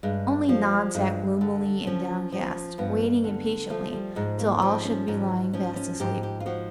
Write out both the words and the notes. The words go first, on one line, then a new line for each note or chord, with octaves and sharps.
Only Nod sat gloomy and downcast, waiting impatiently till all should be lying fast asleep.
G2 G#3
F3 G3
G2 G#3
D3
F3 C#4
F3
G2 B3
D3
F3 A3
G3
G#2 G#3
A#3
F3 C4
C#4
G#2 C#4
F3 C#4
C#4
G#2 G4
G4
F4
F3 F#4